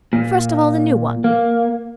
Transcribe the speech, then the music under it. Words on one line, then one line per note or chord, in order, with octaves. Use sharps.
"First of all, the new one."
A#2
A#3